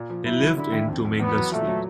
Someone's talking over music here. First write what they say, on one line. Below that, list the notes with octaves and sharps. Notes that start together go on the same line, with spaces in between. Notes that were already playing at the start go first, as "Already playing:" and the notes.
He lived in Toominga street.
Already playing: A#2
F3
F#3 E4
F#3
D3 E4
D#2
F2
F2
E2 B3
F#3
A#2 A3
F#3